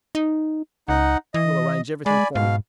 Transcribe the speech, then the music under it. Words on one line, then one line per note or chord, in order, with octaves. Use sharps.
He will arrange everything for me.
D#4
C#2 D#4 F#5
E3 D#5
G#3 D5 G#5 B5
G#2 B2 F5